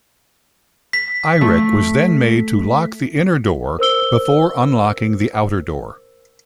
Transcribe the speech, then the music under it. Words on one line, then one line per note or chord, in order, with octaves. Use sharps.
Eirich was then made to lock the inner door before unlocking the outer door.
B6
A3
A#4 C5 E6 G7